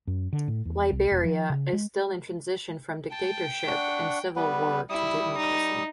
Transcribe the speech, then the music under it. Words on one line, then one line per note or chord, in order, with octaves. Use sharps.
Liberia is still in transition from dictatorship and civil war to democracy.
F#2
D3
A2
E2
C2
E1
F3
C#3
G#3
G5 A5
D4 F#5 C#6
G3 B3 B4
G3 E4 D#6
D#4